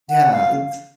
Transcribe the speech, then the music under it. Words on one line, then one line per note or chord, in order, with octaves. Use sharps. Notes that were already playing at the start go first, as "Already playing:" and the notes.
Yeah, it's
F#5
F5